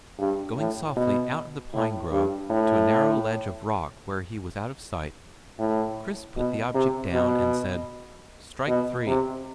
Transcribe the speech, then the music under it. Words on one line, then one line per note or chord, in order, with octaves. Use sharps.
Going softly out of the pine grove to a narrow ledge of rock where he was out of sight, Chris put the object down and said: "Strike three."
G2
A2
B2
A2
G2
A2
A2
B2
C3
B2
B2
C3